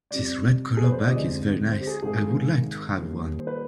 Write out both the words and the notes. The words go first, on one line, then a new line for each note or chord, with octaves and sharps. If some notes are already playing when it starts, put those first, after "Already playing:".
This red color bike is very nice, I would like to have one.
F2 C3 G3 D5
G#4
B4
C5
D5
D2 C3 F3 G#3 D#5
C5
G4
G#4
G#1 G#2 D#3 G#3 G#4
D#2 D#3 G3
C5
B4